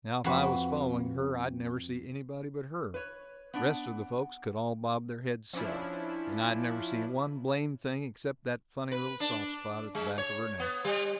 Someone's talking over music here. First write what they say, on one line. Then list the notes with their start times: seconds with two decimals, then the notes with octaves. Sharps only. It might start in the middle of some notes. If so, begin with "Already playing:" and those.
Now if I was following her, I'd never see anybody but her; rest of the folks could all bob their heads silly, and I'd never see one blame thing except that funny little soft spot at the back of her neck.
0.24 F2 F#4 B4
2.94 B4 C#5
3.54 B3 D4 F#5
5.53 F3 C#4 D4 E4
8.92 B4
9.20 D4
9.95 G#3
10.18 C#5
10.60 B3
10.85 G3